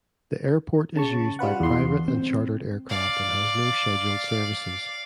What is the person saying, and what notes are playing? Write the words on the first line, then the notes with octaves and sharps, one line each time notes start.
The airport is used by private and chartered aircraft and has no scheduled services.
C#3 A5 C#6
G3 F4 B4 F#5
E2 C6
C4
D5 F5